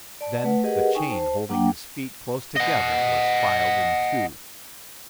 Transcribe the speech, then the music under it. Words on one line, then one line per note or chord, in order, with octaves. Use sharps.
Then the chain holding his feet close together was filed in two.
D5 A5
A3 B4 F#5
G4 G#4 A#4 B4 D#5 F#5
D#4 G5 G#5 C#6
C5 A5
F#3 A#3 D4 F#5 G5
D#5 F#5